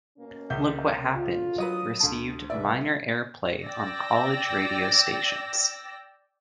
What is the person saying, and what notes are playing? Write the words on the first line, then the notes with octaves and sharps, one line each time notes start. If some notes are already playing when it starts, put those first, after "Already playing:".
"Look What Happened" received minor airplay on college radio stations.
B2 A#3 C#4
C#2 E5 G6
D2 F4
F#3 B4 D#5 D#6
D2 A5
C2 E4 B4 D5 E5
D5 G5 E6 A#6